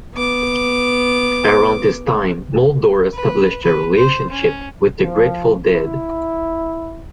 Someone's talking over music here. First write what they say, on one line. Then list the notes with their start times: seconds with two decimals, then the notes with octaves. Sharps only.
Around this time, Muldaur established a relationship with the Grateful Dead.
0.15 B3 D6
3.14 B4
3.62 B4
3.96 C5
4.30 C#4
5.03 F3
5.69 E4